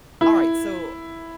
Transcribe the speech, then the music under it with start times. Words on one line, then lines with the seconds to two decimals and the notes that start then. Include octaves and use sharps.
Alright, so,
0.21 E4